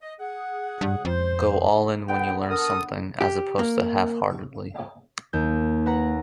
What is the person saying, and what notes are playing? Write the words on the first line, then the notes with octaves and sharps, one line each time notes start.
Go all in when you learn something, as opposed to half-heartedly.
D#5
G#4 F#5
G2
F2 C5
D3 B3 G5
A4 A#4 D#6
G4
A#3
D#2 A#3 G6
B4 F#5 A#5